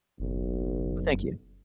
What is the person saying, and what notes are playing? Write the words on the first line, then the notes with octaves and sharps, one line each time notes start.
Well, thank you.
F#1 B1